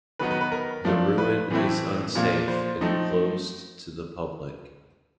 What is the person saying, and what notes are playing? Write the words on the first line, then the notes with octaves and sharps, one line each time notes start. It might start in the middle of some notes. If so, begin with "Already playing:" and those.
The ruin is unsafe and closed to the public.
D#3 F#3 B3 D#4 B4
B4
B4
A#4
F3 A3 D4 F4
B4
A2 E3 A3 C4 E4
A#2 F3 A#3 D4 F4
C5
F3 A3 C4 D#4